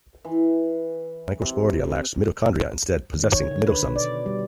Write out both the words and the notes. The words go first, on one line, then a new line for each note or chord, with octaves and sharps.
Microsporidia lack mitochondria, instead possessing mitosomes.
E3
C3
D#3
C#5
D3
B4
B2
D5
G3